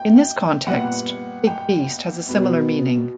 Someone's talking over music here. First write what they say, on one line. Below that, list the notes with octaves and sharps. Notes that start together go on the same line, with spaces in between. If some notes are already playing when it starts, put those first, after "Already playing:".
In this context, "big beast" has a similar meaning.
Already playing: G5
A#2 G3 B3 F#5
G5
B2 F#3 B3